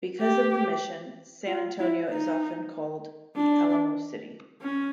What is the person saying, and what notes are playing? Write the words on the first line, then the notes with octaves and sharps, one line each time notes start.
Because of the mission, San Antonio is often called the "Alamo City".
G4
F4
E4
D#4
D4
C#4